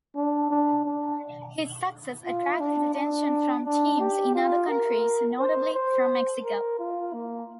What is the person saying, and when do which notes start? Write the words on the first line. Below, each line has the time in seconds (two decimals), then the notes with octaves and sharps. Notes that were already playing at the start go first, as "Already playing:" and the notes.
His success attracted attention from teams in other countries, notably from Mexico.
0.16 D4
0.50 D4
0.85 D4
2.26 F4
2.60 D4
2.94 D4
3.65 D4
3.99 G4
4.35 F4
4.69 A#4
5.39 C5
5.74 C5
6.44 A#4
6.79 F4
7.13 A#3